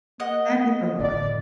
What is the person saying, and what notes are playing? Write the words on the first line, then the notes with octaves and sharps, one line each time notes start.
That is a lot.
A#3 D#5 F#5
F#1 A2 D3 D5